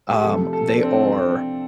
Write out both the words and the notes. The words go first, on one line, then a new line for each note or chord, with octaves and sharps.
um, they are
G4
C3 F3 A3 A4
A4
D4
C4
C4